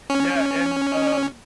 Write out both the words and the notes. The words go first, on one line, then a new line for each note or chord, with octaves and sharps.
yeah, and, um
C#4